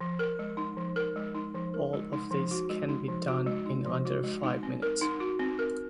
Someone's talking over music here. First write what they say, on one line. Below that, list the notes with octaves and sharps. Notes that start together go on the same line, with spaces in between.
All of this can be done in under five minutes.
F3
A#4
G#3
D#4
F3
A#4
G#3
D#4
F3
A#4
G#3
D#4
F3
F#4
G#3
D#4
F3
F#4
G#3
D#4
F3
F#4
G#3
D#4
C4
A#4
D#4
F#4
C4
A#4